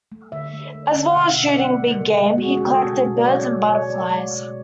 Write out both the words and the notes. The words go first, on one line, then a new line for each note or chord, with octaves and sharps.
As well as shooting big game, he collected birds and butterflies.
A3
D3 E5
A3
A3
D3
F#5
B2 E5
E5
B2
D5
F#3 F#5
A3
C#3
G#3
F#4
G#3 G#4
G#4
C#3
A4
B2
B2
D5
F#3 C#5
A3
B2 C#5
G#3 D5
G#3
B2